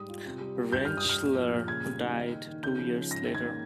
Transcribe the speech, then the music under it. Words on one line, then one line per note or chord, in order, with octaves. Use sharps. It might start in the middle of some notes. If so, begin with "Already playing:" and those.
Rentschler died two years later.
Already playing: G#2 G3 D#6
F4
C3
G3
F4
G2 G6
G3 F6
D#6
G2
F6
A#2
F3
A#2
C#3 G#6
G3
D#4
D#3
A#3
D#3
C#3 G6
F3
C#4
G#2 A#6
D#3
G#6
A#3